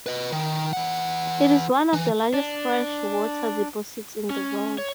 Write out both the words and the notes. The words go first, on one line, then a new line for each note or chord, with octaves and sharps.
It is one of the largest freshwater deposits in the world.
B4 D#5
D#3
E3 F#5
E3
D4
C#4
C#5